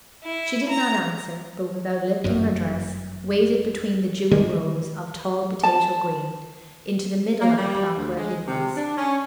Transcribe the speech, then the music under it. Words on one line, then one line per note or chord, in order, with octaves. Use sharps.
She did not answer, but, without lifting her dress, waded between the dewy rows of tall potato-green into the middle of the plot where he was.
E4
A#5
G1 F#2
D#3 G3 G#3
A5
A#3
G3
D2
G#3
C3
D4
C#4